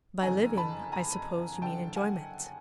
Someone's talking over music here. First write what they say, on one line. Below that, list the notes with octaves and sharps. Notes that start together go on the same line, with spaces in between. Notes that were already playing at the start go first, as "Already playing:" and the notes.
'By living, I suppose you mean enjoyment.'
F#1 F2 D3 G#5 A#5
A5 B5
G#5 A#5
F#1 F#2 D3 G5 A5
F#5 G#5